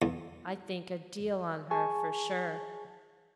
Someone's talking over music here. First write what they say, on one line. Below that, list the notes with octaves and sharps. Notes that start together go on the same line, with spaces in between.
I think a deal on her, for sure.
E2
G#4 G#5 A5 C#6